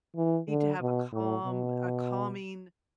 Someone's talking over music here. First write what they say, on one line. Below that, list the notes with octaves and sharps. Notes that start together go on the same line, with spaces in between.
You need to have a calm a calming
E3
D3
B2
A2
B2